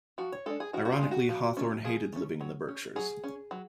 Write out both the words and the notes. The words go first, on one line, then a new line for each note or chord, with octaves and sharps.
Ironically, Hawthorne hated living in the Berkshires.
F3 F#4
C#5
G#3 D4 A4
G#4
F3 F#4
F#4
F4
G#3 D4
F#4
F3
A3 C#4
F3 G#4
A3 C#4
F#3
C#4
F#3 G#4
C#4
F#3